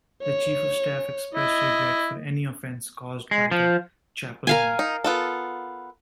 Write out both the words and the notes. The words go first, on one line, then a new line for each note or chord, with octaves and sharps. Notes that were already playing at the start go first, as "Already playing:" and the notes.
The Chief of Staff expressed regret for any offence caused by the chaplain.
C#5
E4 D#5
G#3
F3
A#4 F5 G#5
D#4
B3 F4 A4